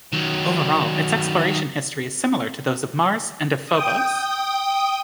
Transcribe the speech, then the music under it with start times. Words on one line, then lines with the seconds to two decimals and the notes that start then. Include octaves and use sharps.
Overall, its exploration history is similar to those of Mars and of Phobos.
0.13 D#3 F#3
3.66 G5 D#6